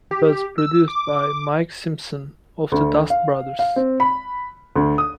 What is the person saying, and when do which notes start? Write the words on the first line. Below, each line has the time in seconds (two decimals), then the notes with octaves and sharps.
It was produced by Mike Simpson of the Dust Brothers.
0.11 G4
0.58 E6
0.88 D6
2.72 D2
3.10 F5
3.59 F5
3.76 C4
4.00 B5
4.76 D2
4.98 D#6